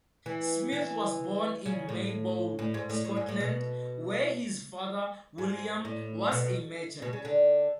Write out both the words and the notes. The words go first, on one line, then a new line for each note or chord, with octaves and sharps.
Smith was born in Maybole, Scotland, where his father, William, was a merchant.
E3
E3
C#3
A2
A2
G#2
A2
A2
G#2
A2
B2
G#2
A2
B2
B2
C#3
D3